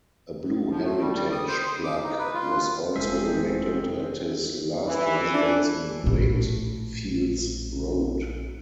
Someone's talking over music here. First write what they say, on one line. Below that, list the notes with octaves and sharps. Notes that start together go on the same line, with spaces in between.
A blue heritage plaque was also erected at his last residence in Greatfields Road.
F3
A3
G3
G3
D#6
C5
D#6
D6
D#4
B4
F4
F1 D2 G#3 C4 G#4 E5
E3
D4
A#1 A2